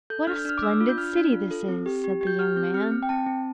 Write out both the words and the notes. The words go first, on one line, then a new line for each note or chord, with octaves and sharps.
"What a splendid city this is!" said the young man.
A4 G6
D4 F6
G6
D4 F6
D6
D4 E6
F4
G6
D4 F6
D4
F4
A4
C4
G4
G4
G4
G6
G4 F6
C4 G6
C4 F6
C4
G5
C4 A5
C4